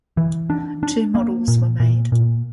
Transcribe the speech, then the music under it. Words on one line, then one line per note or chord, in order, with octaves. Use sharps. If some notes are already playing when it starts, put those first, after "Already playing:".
Two models were made.
E3
D4
D4
A#3
A#2
A#2
A#2